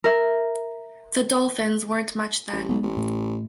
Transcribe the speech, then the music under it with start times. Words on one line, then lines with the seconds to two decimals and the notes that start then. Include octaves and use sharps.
The Dolphins weren't much then.
0.04 A#4 E5
2.52 A1
2.69 B1 G#3 B3
2.83 A1
2.97 A2 A3